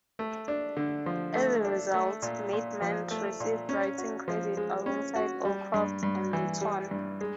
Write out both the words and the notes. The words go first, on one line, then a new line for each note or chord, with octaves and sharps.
As a result, Maidment received writing credit alongside Allcroft and Mitton.
A3
D4
D3
F3
A3
D4
A3
A#2
A#2
F3
A3
A#2
C#4
F#4
F3
G#3
C#4
F#4
G3
G2
G2
E3
G3
G2
G#3